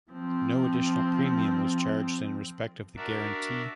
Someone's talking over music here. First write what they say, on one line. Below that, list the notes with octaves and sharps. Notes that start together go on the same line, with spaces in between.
No additional premium was charged in respect of the guarantee.
F3 C4
D4 F#4 A#4 D5 E5